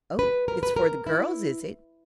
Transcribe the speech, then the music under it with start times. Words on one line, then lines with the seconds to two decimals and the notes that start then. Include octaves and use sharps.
"O, it's for the girls, is it?"
0.19 B4
0.48 A#4
0.63 B4
0.76 A#4
1.07 E4